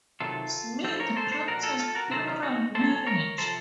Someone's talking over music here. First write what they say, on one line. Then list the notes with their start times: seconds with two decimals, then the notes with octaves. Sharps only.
Smith practiced plural marriage.
0.20 C3 D#3 F#3 F4 A4
0.84 A2 F3 A4 C5
1.00 A#4 C#5
1.16 A4 C5
1.32 A4 C5
1.48 A#2 F3 F#4 A#4
1.63 F4 A4
1.79 F4 A4
1.95 F#4 A#4
2.11 C3 D#3 F#3 A4 C5
2.27 C#4 F4
2.43 D#4 F#4
2.74 A2 F#3 A4 C5
3.07 A#4 C#5
3.38 C3 F3 A4 C5